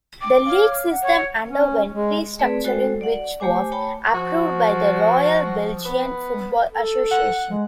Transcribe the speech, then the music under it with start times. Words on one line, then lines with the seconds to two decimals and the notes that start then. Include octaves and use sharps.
The league system underwent restructuring which was approved by the Royal Belgian Football Association.
0.21 G5 D6
0.45 C#5 F5 F6
0.90 F#5
1.03 C#5
1.50 C#4
1.94 G#3
2.39 A3 C4 G#4 B4 D5
2.64 G#3 F#4 A4 C5 G5
3.01 D5 F#5
3.40 A3 G4 C5 G#5 D6
3.72 C#5 G5 A5 B5
4.14 F3 F#4
5.85 B3
6.70 A4
7.11 F#5
7.50 G#3